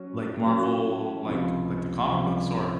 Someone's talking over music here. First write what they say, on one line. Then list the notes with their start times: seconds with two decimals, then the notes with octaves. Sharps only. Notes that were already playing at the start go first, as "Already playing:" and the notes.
like, Marvel, like like the comic books or?
Already playing: F#3 C#4 F#4
0.44 F#3 C#4 F#4
1.25 C#2 C3 F3
2.07 C#2 C3 F3